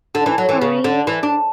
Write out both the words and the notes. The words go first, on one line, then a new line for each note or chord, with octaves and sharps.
I'm sorry.
D3
E3
F#3
E3
C#3
D3
E3
D4